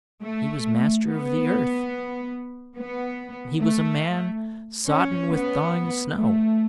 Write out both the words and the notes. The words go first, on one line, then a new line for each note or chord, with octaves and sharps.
He was Master of the Earth, he was a man sodden with thawing snow.
A3
B3
B3
A3
C#4
B3
A3